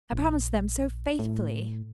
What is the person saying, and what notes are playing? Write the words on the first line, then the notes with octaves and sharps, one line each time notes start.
I promised them so faithfully!
A#1
A2